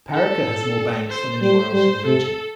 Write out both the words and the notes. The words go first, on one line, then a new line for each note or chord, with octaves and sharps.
Parika has more banks than anywhere else in the region.
A4
C5
G3 C5
G3 C5
C3 A4